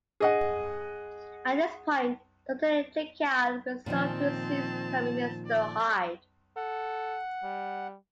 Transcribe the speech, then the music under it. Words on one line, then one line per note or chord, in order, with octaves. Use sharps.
At this point, Doctor Jekyll resolved to cease becoming Mr. Hyde.
G#4 D#5 F#5
A#2 D#3 F3 C4 A5
D5
A4 F#5
G3